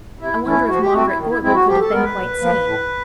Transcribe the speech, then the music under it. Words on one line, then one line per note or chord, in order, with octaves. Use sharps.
I wonder if Margaret Gordon could have been quite sane.
C3 E4
E3 A3 C#4 E4
F3 F#4
G4
A3 C4 F#4
E4
D#3
E4
G#3 C4 E4
F#4
F3 G4
A4
G#3 B3 A#4
B4
A#2
F3 A#3
A2